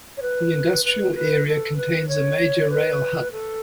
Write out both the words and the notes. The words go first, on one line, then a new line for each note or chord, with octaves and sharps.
The industrial area contains a major rail hub.
C#5
B4
B4
B4
A4
B4
C#5
B4
A4